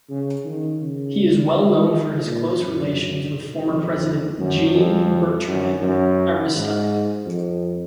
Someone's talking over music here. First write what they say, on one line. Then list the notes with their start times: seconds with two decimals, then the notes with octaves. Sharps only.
He is well known for his close relations with former President Jean-Bertrand Aristide.
0.10 C#3
0.45 D#3
0.81 C#3
1.52 D#3
2.24 A#2
2.60 F#2
3.68 F2
4.39 F#2
4.74 F2
5.47 F#2
5.82 F#2
6.54 G#2
7.26 F2